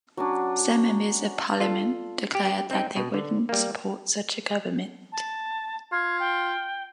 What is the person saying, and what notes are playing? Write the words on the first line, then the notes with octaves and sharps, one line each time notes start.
Some members of parliament declared that they wouldn't support such a government.
F#3 C#4 D4
D4 F4 A4
G4
C4 D#4 G5
B2
D3
G3 A#3
A5
F4 G#6
G5